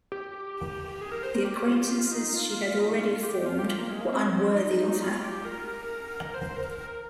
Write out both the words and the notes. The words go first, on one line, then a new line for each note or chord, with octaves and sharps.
The acquaintances she had already formed were unworthy of her.
G4
G#4
A#4
C5
A#4
G4
F4
G4
F4
D#4
F4
D#4
G4
F4
G4
G4
F4
G4
F4
A#3
G#3
A#3
C4
C4
D4
D#4
D#4
F4
G4
A#4
C5
A#4
A#4